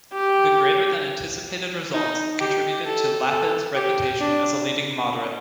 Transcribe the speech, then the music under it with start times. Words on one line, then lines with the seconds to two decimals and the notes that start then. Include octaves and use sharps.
The greater than anticipated results contributed to Lapid's reputation as a leading moderate.
0.14 G4
1.94 D#4
2.40 G4
2.86 A4
3.30 A4
3.75 G4
4.21 D4